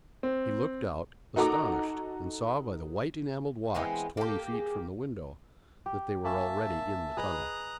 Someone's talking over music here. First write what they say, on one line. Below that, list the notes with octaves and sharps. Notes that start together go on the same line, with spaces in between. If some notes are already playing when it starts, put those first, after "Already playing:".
He looked out, astonished, and saw by the white enamelled walks twenty feet from the window that they were already in the tunnel.
C4
D#4 F#4 A4 A#5 D6
E3 G#3 B3 C4
A#3 G4 A4
G#4
G4
A#3 C#4 E5 A5
G#4 B4 D#5 A#5 D#6 F#6